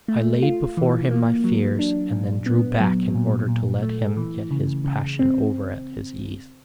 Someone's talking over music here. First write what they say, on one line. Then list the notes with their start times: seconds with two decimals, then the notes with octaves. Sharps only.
I laid before him my fears, and then drew back in order to let him get his passion over at his ease.
0.08 A3
0.42 F4
0.77 E3
1.11 A#3
1.44 F#3
1.79 D4
2.12 A#2
2.46 B3
2.80 F#3
3.15 A#2
3.48 A#2
3.82 A3
4.17 E3
4.51 C#3
4.85 C#3
5.19 C4